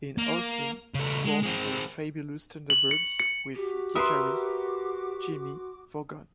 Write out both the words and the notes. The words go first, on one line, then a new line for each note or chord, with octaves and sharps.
In Austin he formed the Fabulous Thunderbirds with guitarist Jimmie Vaughan.
A#3
C#3 A3
G#3
G#3 C4
F#7
C#7
C#7
F#4 G4 D6
A#4 B4 E5 C6 D#6